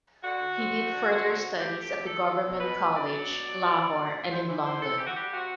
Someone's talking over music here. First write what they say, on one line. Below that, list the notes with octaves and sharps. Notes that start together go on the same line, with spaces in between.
He did further studies at the Government College, Lahore and in London.
D3 F#4
D3
C4
A3
D3
C4
D3
D3
A3 G4
A3
G4
B2
F#3 A4
B2 A4
B2
B2 B4
B2
B2 D5
F#3
B2
F#3
B2
B2
F#3
F#3
E3 C5
E3
E3 C5
E3 A4
E3 G4
F#4
G3 G4
C3 F#4